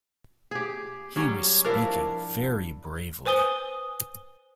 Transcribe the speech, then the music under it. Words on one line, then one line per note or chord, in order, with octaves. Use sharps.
He was speaking very bravely.
G4 G#4
F#3 G3 C#4
F3 D4 E4 A#4 F5
B4 C5 G#5 D#6 G7